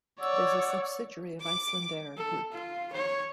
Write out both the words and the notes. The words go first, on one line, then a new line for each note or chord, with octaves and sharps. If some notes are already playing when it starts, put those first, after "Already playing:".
It is a subsidiary of Icelandair Group.
C#5 D5 F#5 E6
D6
A4
F4
C#5